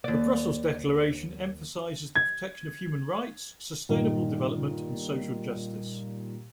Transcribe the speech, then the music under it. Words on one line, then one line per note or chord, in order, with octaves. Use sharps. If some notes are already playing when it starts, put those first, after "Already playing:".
The Brussels declaration emphasises the protection of human rights, sustainable development and social justice.
D#2 D5
G#6
G2 A#2 D#3